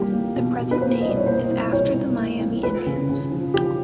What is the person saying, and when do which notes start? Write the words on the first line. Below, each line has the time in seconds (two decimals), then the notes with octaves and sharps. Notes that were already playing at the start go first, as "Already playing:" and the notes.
The present name is after the Miami Indians.
Already playing: C2 G3 A#3 G4
0.14 A#3
0.36 B2
0.59 B2
0.71 B4
0.81 A#3 C5
1.01 D#5
1.05 C2 D5
1.18 C#5
1.26 A#3 C5
1.50 C2
1.72 C2 C#5
1.95 C2
2.18 A#3
2.40 C2
2.63 F3 B4
2.86 C#3
3.09 C#3
3.31 F3
3.54 F3 G4